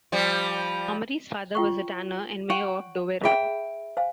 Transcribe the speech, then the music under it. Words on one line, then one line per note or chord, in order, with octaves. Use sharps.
Mummery's father was a tanner and mayor of Dover.
F3 G3
F4 G5 C#6
F#5 G5 C#6
G#4 E5 G5 B5
C5 F5 G#5